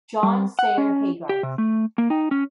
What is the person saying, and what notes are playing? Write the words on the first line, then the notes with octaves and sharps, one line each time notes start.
John Sayer Haygarth.
G3
F#5
C#4
G4
C3
A3
A#3
D#4
C#4